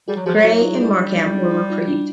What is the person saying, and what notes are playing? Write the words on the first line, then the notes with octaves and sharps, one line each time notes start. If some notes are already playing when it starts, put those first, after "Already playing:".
Grey and Markham were reprieved.
G3 F#4 G#4
F#3
F3 F#4 G#4
F#3
E4 F#4
D#4 F4
G3 D4 E4
D#4
D4
D#4
D#4 F4
F4
D4 E4